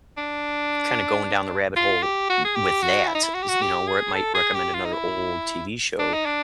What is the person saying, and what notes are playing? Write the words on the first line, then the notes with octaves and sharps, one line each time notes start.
kinda going down the rabbit hole w with that, is you know, where it might recommend another old TV show,
D4
F4
G4
F#4
G#4
G4
F#4
E4
D#4
E4
F#4
G4
F#4
G4
G#4
A4
G#4
G4
F4
D#4
E4
D4
D#4
D4